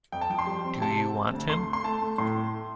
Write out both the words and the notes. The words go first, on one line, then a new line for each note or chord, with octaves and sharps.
Do you want him?
F2 G5
A5
F3 G5
C6
G3
C4
C3 A5
C4
C4
D2
A3 C6
A3
C6
A3 A5
A3
A2 C6
A3